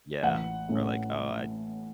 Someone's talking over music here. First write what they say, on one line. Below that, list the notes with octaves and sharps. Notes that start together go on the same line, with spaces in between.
Yeah, or like, oh, I
A1 F#5
A2 A3 C#4 E4